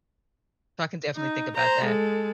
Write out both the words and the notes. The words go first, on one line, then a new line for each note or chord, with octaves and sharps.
So, I can definitely think about that.
D#4
C5 A#5
G#3 A4